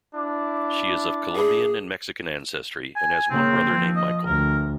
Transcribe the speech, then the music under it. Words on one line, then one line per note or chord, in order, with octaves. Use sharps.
She is of Colombian and Mexican ancestry, and has one brother named Michael.
D4 E4 D6
G#4
G#5
C#3 A#3 C4
F3
D#5
D2 A#4